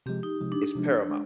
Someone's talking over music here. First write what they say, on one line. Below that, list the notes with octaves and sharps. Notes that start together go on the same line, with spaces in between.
is paramount.
C3 F3 G#3 G4
D#4
C3 F3 G#3
D4
D4
C3 F3 G#3
G#3